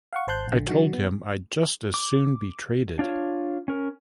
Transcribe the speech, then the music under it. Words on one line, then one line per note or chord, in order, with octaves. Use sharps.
I told him I'd just as soon be traded.
F5 F#5 C#6
G#1 C5 A5 C6 F#6 G6
A#1 D3
D3 D#3 F#3 F#4
B3
D6
D4 F4 C#5
C#4 A#4